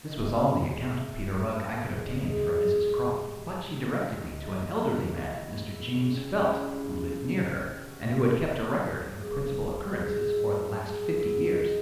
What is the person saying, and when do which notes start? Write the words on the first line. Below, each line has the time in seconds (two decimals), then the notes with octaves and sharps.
This was all the account of Peter Rugg I could obtain from Mrs. Croft; but she directed me to an elderly man, Mr. James Felt, who lived near her, and who had kept a record of the principal occurrences for the last fifty years.
0.06 D#5
0.13 A3 E5
0.45 G#2
0.77 D#3 E5
1.10 A3
1.42 A3 E5
1.74 G#2
2.07 G#2 D#5
2.23 G#4
2.38 G#2 F#4
2.55 G#4
2.71 G#3
3.03 C3
3.35 E3
3.67 C2
3.93 A4
3.99 C3 C5
4.15 D#5
4.21 C#5
4.32 E3
4.43 E5
4.64 G#3 D#5
4.86 D#5
4.96 C3
5.08 C#5
5.22 F#4
5.29 D#3 E4
5.50 F#4
5.61 C#2
5.72 E4
5.92 C#2 C#4
6.14 C4
6.25 C3
6.35 C#4
6.57 C#2 E4
6.90 C#2
7.22 D#3
7.54 C3
7.86 A3 F#4
8.18 F#3
8.51 F#3
8.83 A3
9.14 F#3 G#4
9.48 G#2
9.79 F#3 G#4
9.89 F#4
9.96 G#4
10.12 G#2
10.28 A4
10.43 A3 A4
10.76 A3 G#4
10.97 G#4
11.08 E2 F#4
11.20 A4
11.30 G#4
11.40 F#3
11.51 D#5